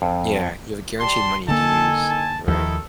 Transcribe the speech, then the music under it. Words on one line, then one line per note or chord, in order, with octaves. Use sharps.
Yeah. You have a guaranteed money to use. Right?
F2
G4 D5 A5 C6
D3 D#3 A#3 A4 G#5 A5
A5
D#2 D#3 F3 E4 A4